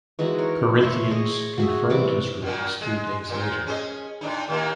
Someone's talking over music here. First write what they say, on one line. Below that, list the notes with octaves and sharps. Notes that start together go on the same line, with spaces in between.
Corinthians confirmed his release three days later.
E3 G#3 D#4 F#4
A#4 C#5
E4 C5 C#5
G#4 C#5 D#5
F#4 G#4 E5
C3 E3 G3 D6
F#2 A#2
G#3
A#2 C4
C#4 G#4 D#5
A2 D4 D#4
D#2 A2 A#3